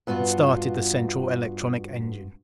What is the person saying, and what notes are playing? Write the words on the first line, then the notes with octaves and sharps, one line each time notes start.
And started the central electronic engine.
G2 B3 F4 F#4